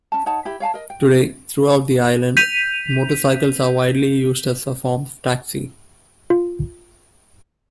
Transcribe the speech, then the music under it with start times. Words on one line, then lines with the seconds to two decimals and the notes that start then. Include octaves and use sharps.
Today throughout the island, motorcycles are widely used as a form of taxi.
0.12 C#4 A5
0.26 D#4 C#5 F#5 A5
0.45 E4 G4 B5
0.60 C#5 F5 G#5 A5
0.74 A#4 D#5
0.90 G5
2.37 G6 B6 D#7 F7
6.30 F4